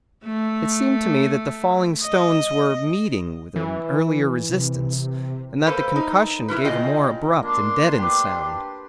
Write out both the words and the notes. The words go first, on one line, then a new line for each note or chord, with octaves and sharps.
It seemed to me that the falling stones were meeting with an earlier resistance, and that the concussion gave a more abrupt and deadened sound.
A3
D#5
E3
C3
A#3 A4 B4 C5
D#4
E4 F#4 A#4 B4
C#3 F4 D5 D#5 G5
A#3 D4 C6
G4 B4